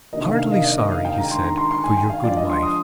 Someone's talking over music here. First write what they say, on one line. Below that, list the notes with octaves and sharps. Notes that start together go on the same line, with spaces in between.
'Heartily sorry,' he said, 'for your good wife.
C3 D#3 A#3 D4 D#5
F5
F5
D#5
D5
D#5
F5
G5
D#3 G#3 D4 A#5
C6
A#5
C6
C6
G#5
G5
F5
F3 G#3 D4 D5
D#5
C6
D#6